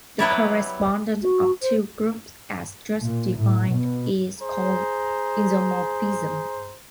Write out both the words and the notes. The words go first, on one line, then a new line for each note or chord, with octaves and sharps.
The correspondence of two groups as just defined is called isomorphism.
F#3 G3 B3 E4 C#5 D5
F#4
C5
A#2
A2
B2
G#4 C5 A#5